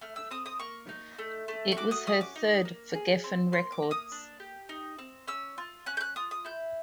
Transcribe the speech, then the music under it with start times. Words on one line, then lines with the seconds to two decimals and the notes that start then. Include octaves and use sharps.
It was her third for Geffen Records.
0.01 A3 F6
0.16 E6
0.31 C4 D#6
0.46 D#6
0.59 A#3 C#6
0.89 D#4
1.19 A3
1.48 A3
1.72 C#6
1.77 F#4 D6
1.91 D#6
2.07 C#4 D#6
2.21 D6
2.36 D#4
2.65 A#3
2.94 G#4
3.24 C4
3.52 A#3 C6
3.72 D6
3.82 A#3
3.91 D#6
4.12 D4
4.40 G4
4.69 D#4
4.99 C4
5.28 C#4 E6
5.58 F4
5.86 C#4 F#6
5.97 G6
6.01 F#6
6.16 F4 D#6
6.31 D#6
6.45 E4 G6